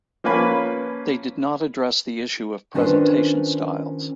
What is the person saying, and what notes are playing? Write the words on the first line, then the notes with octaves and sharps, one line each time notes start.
They did not address the issue of presentation styles.
F3 A#3 C#4 B4
D#3 C#4 D4 F4 B4 C5